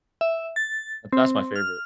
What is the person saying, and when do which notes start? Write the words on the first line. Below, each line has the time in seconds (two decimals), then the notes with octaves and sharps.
th that's my favorite.
0.21 E5
0.56 A6
1.13 C4
1.56 F6